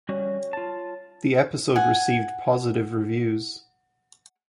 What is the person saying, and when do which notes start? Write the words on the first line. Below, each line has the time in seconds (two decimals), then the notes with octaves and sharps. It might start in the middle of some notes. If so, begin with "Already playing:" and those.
The episode received positive reviews.
0.09 G3 C#4 F#4 C#5
0.53 F4 A5
1.76 F#5 G#5